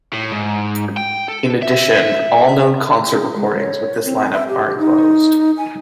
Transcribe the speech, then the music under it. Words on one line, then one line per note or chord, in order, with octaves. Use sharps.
In addition, all known concert-recordings with this line-up are enclosed.
A2
G#2
G5
A4
E5
G#4
G#3
C#5
C4
E5
G4
D#4
G#5